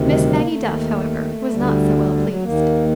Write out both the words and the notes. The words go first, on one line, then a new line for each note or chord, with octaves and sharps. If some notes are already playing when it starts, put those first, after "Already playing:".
Miss Maggie Duff, however, was not so well pleased.
Already playing: D2 C3 D#3
G3
G3
A#3
A3
D#2 D#3
D2 D3 G3
G3
G3
F#3
D#2 D#3 A#3